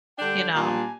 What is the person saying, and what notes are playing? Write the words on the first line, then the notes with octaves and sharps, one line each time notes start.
you know,
D3 G3 D4 G5
A#2 G3 A#3 D4 G#5